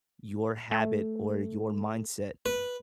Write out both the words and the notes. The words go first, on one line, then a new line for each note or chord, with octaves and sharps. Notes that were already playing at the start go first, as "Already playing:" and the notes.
your habit or your mindset
A3
B4